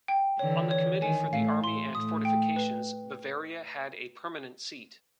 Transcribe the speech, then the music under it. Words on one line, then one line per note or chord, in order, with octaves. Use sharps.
On the committee for the army and fortifications, Bavaria had a permanent seat.
G5
D3 E3 C#5
C#5
D#3 G#5
A2 F5
A2 C6
A2 D#6
G5
B4